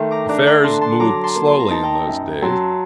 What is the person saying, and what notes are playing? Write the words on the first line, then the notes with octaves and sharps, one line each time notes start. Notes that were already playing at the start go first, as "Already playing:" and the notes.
Affairs moved slowly in those days.
Already playing: D#3 A3 G5 C6
A#5 D6
D4 A#5 D6
A#5 D6
D3 A5 C6
A5 C6
F#3 A#5 D6
A5 C6
A#3
C6
A#5
D#4 A5
G5 A#5
F#2
F#3 A5 C6